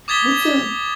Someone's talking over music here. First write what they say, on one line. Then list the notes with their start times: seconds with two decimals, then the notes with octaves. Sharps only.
what's a
0.08 D6 D#6 G#6 A6 B6 G7